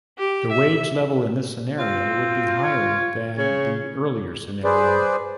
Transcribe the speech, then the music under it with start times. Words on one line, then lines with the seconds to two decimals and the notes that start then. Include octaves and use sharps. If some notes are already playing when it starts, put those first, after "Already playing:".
The wage level in this scenario would be higher than the earlier scenario.
0.18 G4
0.52 E5
1.78 C4 F4
2.63 C#5
3.37 C#3 C#5
4.64 G#4 B4 C5 D5